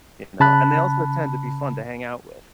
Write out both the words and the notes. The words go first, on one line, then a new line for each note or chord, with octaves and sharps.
You know? And they also tend to be fun to hang out with.
C#3 A5 B5 F#6